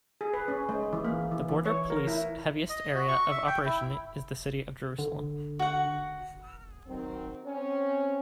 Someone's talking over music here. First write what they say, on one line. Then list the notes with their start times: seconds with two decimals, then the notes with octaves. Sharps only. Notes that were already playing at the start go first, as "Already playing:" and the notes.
The Border Police heaviest area of operation is the city of Jerusalem.
0.21 G#4
0.33 B4
0.48 C#4
0.69 G#3
0.93 E3
1.04 A#3
1.32 E3
1.49 E3
1.66 C#5
1.90 A#4
2.07 E4
2.69 D#5
2.95 F#4
3.08 C#6
3.31 E5
3.47 G5
3.66 E4
4.99 D3
5.59 F#4 F#5
6.88 D#3 F#3 C4
7.44 C4 C#4